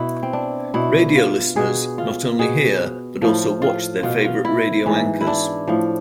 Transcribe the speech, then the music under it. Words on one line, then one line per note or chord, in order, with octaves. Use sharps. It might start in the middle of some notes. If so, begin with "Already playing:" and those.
Radio listeners not only hear, but also watch their favorite radio anchors.
Already playing: B2 E4
C4
D4
B2 E4
F4
B2 G#4
F4
B2 G#4
A2 F3
F4
B2 F4
F4
E4
G#2 E3
E4
D4
A2 F3